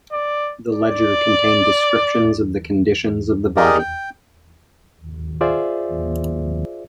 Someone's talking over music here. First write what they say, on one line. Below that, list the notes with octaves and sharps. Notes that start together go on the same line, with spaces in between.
The ledger contained descriptions of the conditions of the body.
D5
D5
G4 G#4 A#4 D5 D#5
G5
F4 G#4 C5 D5 E5